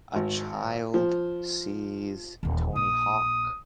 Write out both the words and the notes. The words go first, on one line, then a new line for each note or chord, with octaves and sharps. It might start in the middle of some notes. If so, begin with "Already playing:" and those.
a child sees Tony Hawk.
G#1
F3
D#1 E3
A#1 D#6